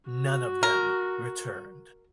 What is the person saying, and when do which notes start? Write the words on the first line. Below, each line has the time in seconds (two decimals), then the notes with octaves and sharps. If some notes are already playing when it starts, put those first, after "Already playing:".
None of them returned.
0.11 F#4
0.63 A#4